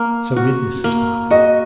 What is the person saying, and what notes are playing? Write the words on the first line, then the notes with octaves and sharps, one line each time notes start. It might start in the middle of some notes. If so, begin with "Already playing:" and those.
So did Mrs Boffin.
Already playing: A#3
F#4
A#3
F#4 D#5